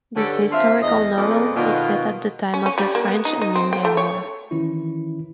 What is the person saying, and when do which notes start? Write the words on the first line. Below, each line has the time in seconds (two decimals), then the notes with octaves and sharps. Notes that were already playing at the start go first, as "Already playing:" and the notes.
This historical novel is set at the time of the French and Indian War.
0.15 G2 D3 C#4 G4 A4
0.51 C4 D4 F4 C5 E5
0.81 E2 D#5
1.16 F2 A#2 G#3 B3 A4 D5
1.54 B2 D#3 F4
2.54 C#4
2.66 C#4
2.78 G3
2.95 A#3
3.08 B3
3.25 D#4
3.42 D#4
3.55 C4
3.73 G5
3.85 A3
3.97 C#5
4.51 D#3 E3 C#4 E4